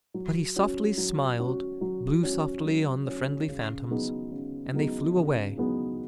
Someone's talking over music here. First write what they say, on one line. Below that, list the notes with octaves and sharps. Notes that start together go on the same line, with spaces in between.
But he softly smiled, blew softly on the friendly phantoms, and they flew away.
F#3
C#4 F#4
F#3
C#4 F#4
F#3
C#4 F#4
F#3
C#4 F#4
C#3
F#3 B3 D#4 G#4
C#3
F#3 B3 D#4 G#4
C#3
F#3 B3 D#4 G#4